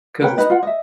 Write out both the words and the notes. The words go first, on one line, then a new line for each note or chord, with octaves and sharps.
'cause it's
A#4 B4 C#5 G5
D#4 B4 D#5
F4 F#5
D#5 E5